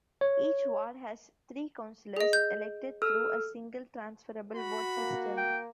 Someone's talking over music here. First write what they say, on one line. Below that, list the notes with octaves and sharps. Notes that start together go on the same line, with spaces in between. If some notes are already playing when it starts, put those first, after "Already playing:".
Each Ward has three councillors elected through a single transferable vote system.
C#5
G#4 D#5
G6
A4 E6 F6
F#4 B5
A#3
G5